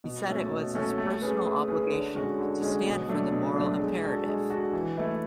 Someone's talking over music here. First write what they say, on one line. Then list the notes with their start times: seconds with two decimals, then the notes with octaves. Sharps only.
He said it was his personal obligation to stand for the moral imperative.
0.04 B2
0.27 A3 C#4 F#4 A4
0.51 B2
0.74 A3 C#4 F#4 A4
0.98 A3
1.21 C#4 G#4 B4
1.45 A3
1.68 C#4 G#4 B4
1.92 D3
2.15 G#3 C#4 F#4
2.39 D3
2.62 G#3 C#4 F#4
2.86 B2
3.09 F#3 A3 D4
3.33 B2
3.56 F#3 A3 D4
3.79 G#3
4.03 D4 F#4 A4
4.26 G#3
4.50 D4 F#4 A4
4.73 E3
4.97 A3 E4 B4